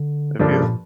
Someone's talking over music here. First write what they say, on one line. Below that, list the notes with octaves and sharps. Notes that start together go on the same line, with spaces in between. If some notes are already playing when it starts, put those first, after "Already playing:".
Have you
Already playing: D3
G2 D3 F3 A#3 D4 A4
C3
A#2